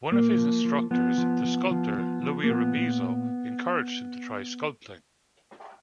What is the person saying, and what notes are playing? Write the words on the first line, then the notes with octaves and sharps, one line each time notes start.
One of his instructors, the sculptor Louis Rebisso, encouraged him to try sculpting.
A#2 A#3
F3
F3
F3 B3
F3
F3
F3
F3
F3
A#3
A#2 B3
A#2